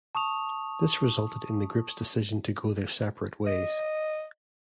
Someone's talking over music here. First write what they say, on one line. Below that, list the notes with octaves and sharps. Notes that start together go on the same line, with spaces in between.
This resulted in the group's decision to go their separate ways.
A5 C#6 D#6 F7
D#5